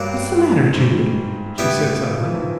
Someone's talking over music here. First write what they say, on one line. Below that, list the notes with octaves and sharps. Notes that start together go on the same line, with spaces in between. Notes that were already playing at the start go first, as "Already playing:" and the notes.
"What's the matter, Jude?" she said suddenly.
Already playing: G2 F#3 A#3 D4 F#4
G#2
A2 G3 B3 E4
C#3
F3
E3
D#3